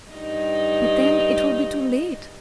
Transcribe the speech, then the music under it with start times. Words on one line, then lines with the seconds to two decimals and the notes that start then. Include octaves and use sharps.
But then it will be too late!
0.11 G2 D#4